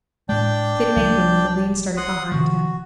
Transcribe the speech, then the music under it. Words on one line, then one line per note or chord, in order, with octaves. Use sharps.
Tit made room, and Levin started behind him.
A2 G#3 D4 D5 G5
C2 F3 G3
F#5 C6 D#6
C3 D#3 F3 F#4